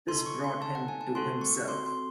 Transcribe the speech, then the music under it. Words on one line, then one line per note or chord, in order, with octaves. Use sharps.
This brought him to himself.
D#4 A4 C6
C#6
C6
A5
F#5
G#5
A5
C4 F#4 A4 C6
C#6
C6
C6